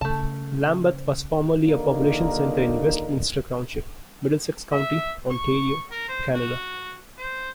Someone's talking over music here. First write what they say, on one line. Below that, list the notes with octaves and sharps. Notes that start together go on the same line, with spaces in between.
Lambeth was formerly a population centre in Westminster Township, Middlesex County, Ontario, Canada.
C#3 A3 A5
A#1 D#2 D3 A#3 D#4 A#4
E5
C#6
A#4
C5
F#4
C5